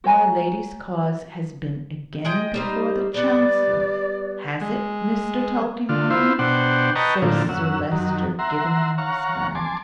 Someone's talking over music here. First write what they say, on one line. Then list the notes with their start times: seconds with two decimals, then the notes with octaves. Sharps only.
"My Lady's cause has been again before the Chancellor, has it, Mr. Tulkinghorn?" says Sir Leicester, giving him his hand.
0.04 F#4 C#5 G#5 A#5
2.25 G#3 D#5 G5
2.54 G3 D#4 C5
3.14 G3 B3 D5
4.61 G#3
5.89 D3 F4
6.10 E4 F4 C5
6.39 B2 D4 C5 F#5 G5
6.96 B4 D#5 G5 A5 A#5 C#6
7.22 A2 D3 F3 A#3
7.49 F#2 C#4 F#5 E6
7.92 F#2 D#3 F#3
8.39 E5 F#5 A#5 C6
8.98 C#5 F5 F#5 A#5 C#6
9.55 G#5 A5 C6 D6